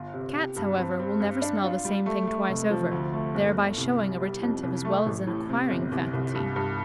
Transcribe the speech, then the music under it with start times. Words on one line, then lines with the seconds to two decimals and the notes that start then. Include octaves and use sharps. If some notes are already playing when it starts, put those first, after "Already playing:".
Cats, however, will never smell the same thing twice over, thereby showing a retentive as well as an acquiring faculty.
Already playing: G1 F4
0.14 C3
0.35 G4
0.57 G2
0.77 C4
1.00 C4
1.20 G2
1.42 D4
1.63 F4
1.85 G3
2.06 A3
2.27 A3
2.48 F1
2.71 F3
2.92 D2
3.13 A3
3.35 G1
3.56 G1
3.78 C2
3.99 G3
4.20 G3
4.42 F2
4.63 C2
4.85 A3
5.06 A1
5.27 A2
5.49 C3
5.70 G1
5.92 C2
6.13 C2
6.34 G2
6.56 G2